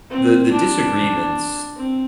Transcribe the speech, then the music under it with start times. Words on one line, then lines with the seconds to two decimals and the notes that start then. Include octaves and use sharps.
the the disagreements,
0.10 C4
0.51 D4
1.76 C4